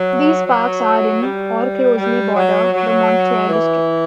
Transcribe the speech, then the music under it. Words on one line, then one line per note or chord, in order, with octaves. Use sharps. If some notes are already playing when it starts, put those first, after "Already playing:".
These parks are in or closely border the Montclair district.
Already playing: F#3
F#3
G3
G3
F#3
F#3
E3